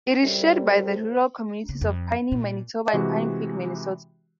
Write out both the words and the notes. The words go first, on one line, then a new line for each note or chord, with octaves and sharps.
It is shared by the rural communities of Piney, Manitoba and Pinecreek, Minnesota.
F#2 A2 C3 G3
C#3
F2
A#2
C3 E3 G#3 F#4 G4